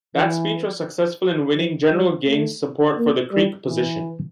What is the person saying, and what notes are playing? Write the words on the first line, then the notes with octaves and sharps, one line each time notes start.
That speech was successful in winning General Gaines' support for the Creek position.
E3
F3
G3
A3
A#3
G3
E3